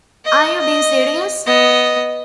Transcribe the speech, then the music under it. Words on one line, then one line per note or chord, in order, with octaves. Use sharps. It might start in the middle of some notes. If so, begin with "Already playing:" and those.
Are you being serious?
D#5
D#5
B3 D#5